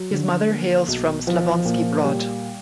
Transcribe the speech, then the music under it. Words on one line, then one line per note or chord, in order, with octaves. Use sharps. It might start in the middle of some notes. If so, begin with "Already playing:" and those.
His mother hails from Slavonski Brod.
Already playing: F#3
D3
A#3
B1
F3
A#2
G3